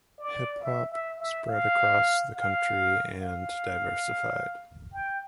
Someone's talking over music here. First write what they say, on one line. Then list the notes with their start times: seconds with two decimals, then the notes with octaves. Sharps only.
Hip hop spread across the country and diversified.
0.19 D5
0.62 E5
0.91 E5
1.20 E5
1.49 F5
2.35 F5
3.20 F5
4.93 G5